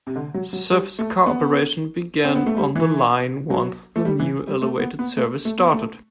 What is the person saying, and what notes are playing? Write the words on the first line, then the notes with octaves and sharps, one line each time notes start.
Surface car operation began on the line once the new elevated service started.
C3
D3
F#3
F#3
G3
A3
B3
C4
B3
A3
G3
E3
F#3
A3
G3
E3
G3
A3
B3
B3
A3
A3
B3
A3